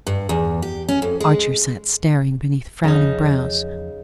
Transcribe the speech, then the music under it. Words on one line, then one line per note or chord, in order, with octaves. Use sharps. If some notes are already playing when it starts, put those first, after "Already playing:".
Archer sat staring beneath frowning brows.
G2
E2
G4
C#4
F2
G#3
E2 C#3 F3 D#4